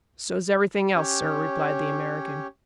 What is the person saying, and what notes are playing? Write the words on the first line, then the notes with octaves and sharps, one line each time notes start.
"So's everything else, sir," replied the American.
C#4 G4 C#5